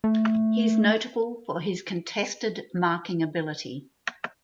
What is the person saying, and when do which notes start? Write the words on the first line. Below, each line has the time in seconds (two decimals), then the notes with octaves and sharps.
He is notable for his contested marking ability.
0.04 A3